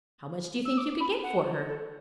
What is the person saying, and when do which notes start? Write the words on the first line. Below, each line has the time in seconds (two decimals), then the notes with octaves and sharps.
"How much do you think you could get for her?"
0.65 E6
0.77 D6
1.00 B5
1.23 F#5
1.67 A4